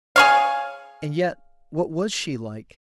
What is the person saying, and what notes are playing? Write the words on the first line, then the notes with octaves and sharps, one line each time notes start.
And yet--what was she like?
G#4 C#5 F5